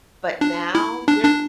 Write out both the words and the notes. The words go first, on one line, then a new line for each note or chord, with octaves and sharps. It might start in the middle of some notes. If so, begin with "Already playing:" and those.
But now you're
D4
E4
D4
D4